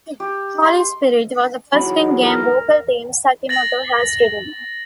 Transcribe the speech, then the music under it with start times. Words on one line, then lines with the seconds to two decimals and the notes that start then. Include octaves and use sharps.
"Holy Spirit" was the first in-game vocal theme Sakimoto has written.
0.20 G4
0.65 C6
1.74 G#2 E3 F#3 B5
2.23 A#4
3.49 A6 A#6 F#7